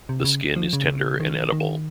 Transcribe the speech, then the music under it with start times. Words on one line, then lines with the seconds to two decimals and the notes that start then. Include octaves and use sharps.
The skin is tender and edible.
0.09 C3
0.25 C#3
0.56 F3
0.73 C#3
1.20 D#3
1.52 D#3